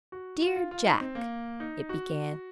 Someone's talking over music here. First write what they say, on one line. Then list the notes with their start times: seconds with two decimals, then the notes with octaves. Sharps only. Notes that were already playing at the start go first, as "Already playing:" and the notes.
"Dear Jack," it began.
0.12 F#4
0.42 F4
0.56 F4
0.71 F4
0.86 D#4
1.01 C4
1.15 A#3
1.60 D#4
1.89 F#4